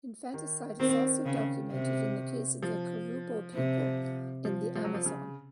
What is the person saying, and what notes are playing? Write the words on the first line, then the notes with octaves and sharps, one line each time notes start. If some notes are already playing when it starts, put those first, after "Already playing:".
Infanticide is also documented in the case of the Korubo people in the Amazon.
D#3
D#3 C4
C#3
C3
F3
C3
F3
F3
F#3
F3
C#3